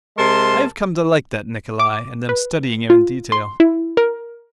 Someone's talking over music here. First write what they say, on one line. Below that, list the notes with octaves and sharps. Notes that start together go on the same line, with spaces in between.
I have come to like that Nikolay and am studying him in detail.
C3 G#3 A#4 A5 C6
D6
B4
F4
C6
E4
A#4